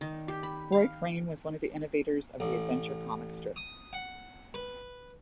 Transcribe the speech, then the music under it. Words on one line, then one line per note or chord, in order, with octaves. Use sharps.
Roy Crane was one of the innovators of the adventure comic strip.
D#3
G4
B5
F5
A1
D#6
F#5
B4